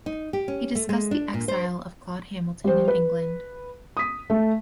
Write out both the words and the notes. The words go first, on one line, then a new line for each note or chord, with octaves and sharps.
He discussed the exile of Claud Hamilton in England.
D#4
G4
C#4
A3
G#3
D4
A#2
C5
G3 C5
B4
D#6 B6
A3